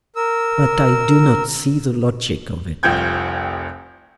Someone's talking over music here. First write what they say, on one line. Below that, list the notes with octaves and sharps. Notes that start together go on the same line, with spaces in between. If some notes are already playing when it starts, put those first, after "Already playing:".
But I do not see the logic of it.
A#4 E6
F1 C2 F3 G5 G6 G#6